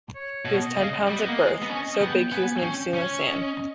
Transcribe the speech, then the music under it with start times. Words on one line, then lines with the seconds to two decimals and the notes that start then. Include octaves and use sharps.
He was ten pounds at birth, so big he was nicknamed "Sumo Sam".
0.15 C#5
0.45 B2
0.61 D#5
0.77 C#3
1.07 G3
1.18 B3
1.28 A#3
1.39 G#3
1.62 B3
1.70 C#4
2.01 B3 G5
2.32 B3 G#5
2.63 C#4 G5
2.94 C#4 C#5
3.18 E5
3.25 D#5
3.56 D#5